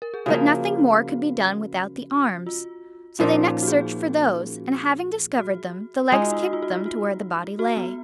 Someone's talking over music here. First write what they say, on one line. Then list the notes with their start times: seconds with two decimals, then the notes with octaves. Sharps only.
But nothing more could be done without the arms; so they next searched for those, and, having discovered them, the legs kicked them to where the body lay.
0.02 A#4
0.14 G#4
0.26 C#3 F3 A#3 F#4
2.47 F4
3.19 A#2 F3 A#3 C#4
3.32 C#4
3.44 D#4
3.63 F#4
3.68 G#4
5.39 F#4
6.12 G#3 D#4 F4 G#4
6.22 F#4
6.32 F4
6.43 F#4
6.53 F4
6.62 F#4
6.72 F4
6.86 F#4
7.59 F#4
7.77 B3